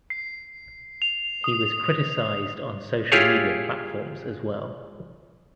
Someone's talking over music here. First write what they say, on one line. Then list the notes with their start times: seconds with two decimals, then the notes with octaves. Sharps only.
He was criticised on social media platforms as well.
0.10 C7
1.02 F7
1.44 D#6
3.12 E4 F4 G4 G#4 C#5